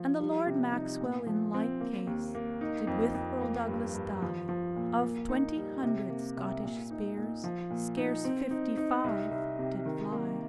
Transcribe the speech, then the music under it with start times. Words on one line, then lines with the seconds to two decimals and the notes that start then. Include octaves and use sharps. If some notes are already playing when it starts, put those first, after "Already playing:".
And the Lord Maxwell in like case Did with Erle Douglas dye; Of twenty hundred Scottish speres, Scarce fifty-five did flye.
Already playing: F3
0.20 G3
0.47 C3
0.73 D#4
1.01 A#2
1.27 F3
1.54 C4
1.80 A#3
2.07 D#2
2.35 A#3
2.61 D#4
2.87 F2
3.15 F2
3.42 A#3
3.68 G2
3.95 G2
4.22 F3
4.49 F3
4.76 A#2
5.03 A#3
5.29 D#4
5.57 G3
5.83 C3
6.10 A#3
6.37 C2
6.64 A#2
6.91 D#4
7.17 A#2
7.44 F3
7.70 A#2
7.97 D#4
8.25 C4
8.51 D#4
8.77 D#4
9.04 C2
9.31 C2
9.59 C3
9.85 D#3
10.12 A#3